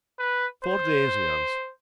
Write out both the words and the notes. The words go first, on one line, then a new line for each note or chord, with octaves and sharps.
"Four days," he answered.
B4
C5